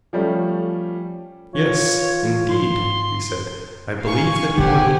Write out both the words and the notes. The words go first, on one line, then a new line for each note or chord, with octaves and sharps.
Yes, indeed, he said; I believe that he would.
F3 G3 A3 C#4
E3 F4 C#5
G#2 C6
F5 G#5 C#6
D3 B3 G4 C5 F#5 G#5